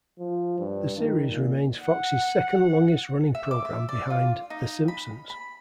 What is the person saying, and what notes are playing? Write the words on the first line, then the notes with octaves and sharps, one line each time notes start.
The series remains Fox's second-longest-running program, behind "The Simpsons".
F3
G2
D#3
A#2
F#5
E5
D6
E5
D5
F4
D#4
B5
B5